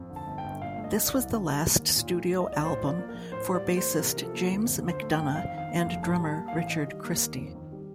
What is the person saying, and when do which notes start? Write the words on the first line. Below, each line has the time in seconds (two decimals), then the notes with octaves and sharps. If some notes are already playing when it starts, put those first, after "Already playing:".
This was the last studio album for bassist James MacDonough and drummer Richard Christy.
Already playing: F2
0.10 D3
0.16 A5
0.27 G1
0.38 G5
0.44 G1
0.61 A#2 F5
0.78 A3
0.84 D#5
0.95 C2
1.06 D5
1.12 C2
1.29 D3
1.46 G3
1.63 A#3
1.80 D#2
1.96 A#2
2.13 A3
2.30 C2
2.41 D#5
2.48 C2 D5
2.64 A2 C5
2.81 F3
2.87 D5
2.98 A#3
3.09 A#4
3.14 A#1
3.32 A2 C5
3.49 G3
3.55 D5
3.65 A#3
3.77 C5
3.82 A1
3.99 C3 A#4
4.17 F3
4.22 A4
4.34 A#3
4.51 D2
4.67 F2
4.84 D3
4.89 C5
5.02 A3
5.12 G5
5.18 G1
5.35 F2 F5
5.51 D#3
5.58 F5
5.69 A#3
5.80 F5
5.85 F1
6.03 A2 A5
6.20 G3
6.25 A5
6.36 A#3
6.48 A1 F5
6.70 D#3 D#5
6.87 G3
7.04 A#3
7.21 D#2
7.38 F2
7.55 D#3
7.72 G3